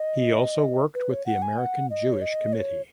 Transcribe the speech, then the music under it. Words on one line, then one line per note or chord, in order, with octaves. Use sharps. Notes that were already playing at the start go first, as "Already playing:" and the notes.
He also worked with the American Jewish Committee.
Already playing: D#5
B4
C#5
F#5
G#5
F#5
D#5
C#5
D#5
C#5